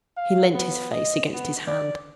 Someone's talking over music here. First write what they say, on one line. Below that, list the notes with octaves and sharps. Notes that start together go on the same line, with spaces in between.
He leant his face against his hand.
F5
B3
D#5
B3
D5